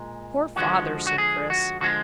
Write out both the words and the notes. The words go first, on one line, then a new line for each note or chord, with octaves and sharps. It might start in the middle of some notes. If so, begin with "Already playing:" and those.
"Poor father!" said Chris.
Already playing: A#2 G#3
D3 F3 G#3 F#4
F#4
G#4
F#4
D3 F3 G#3 F#4